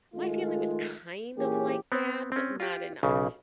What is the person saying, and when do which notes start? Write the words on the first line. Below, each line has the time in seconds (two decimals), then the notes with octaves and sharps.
My family was kind of like that, but not enough.
0.15 D#3 G#3 A3 F4
1.37 A#2 E3 A#3 C#4 G4 G#4
1.92 B3 C4
2.32 C4 C#4
2.60 F4 G4
3.03 B1 C#3